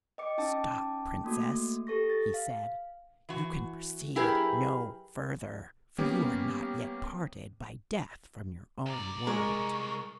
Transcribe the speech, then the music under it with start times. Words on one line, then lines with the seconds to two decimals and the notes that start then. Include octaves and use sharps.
"Stop, princess!" he said; "You can proceed no further, for you are not yet parted by death from your own world."
0.18 D#5 G5 D6 C#7
0.38 C#4 D#4 G5 A5 D6
1.24 A3 A#3 F#4
1.87 G4 A4 C#6 A#6
2.10 A6
2.34 F5
3.29 E3 F#4
4.16 F#3 E4 G4 G#4 A#4 B4
5.98 G3 A#3 B3 C#4 G4
8.86 C2 D5 A#5
9.27 G#3 A#4 C#6